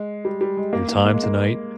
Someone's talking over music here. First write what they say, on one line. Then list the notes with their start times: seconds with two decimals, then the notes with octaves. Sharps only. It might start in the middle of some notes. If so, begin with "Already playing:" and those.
your time tonight,
Already playing: G#3
0.25 G3
0.41 G3
0.57 G#3
0.73 A#3
0.89 A#3
1.05 A#3
1.14 G#3
1.24 A#3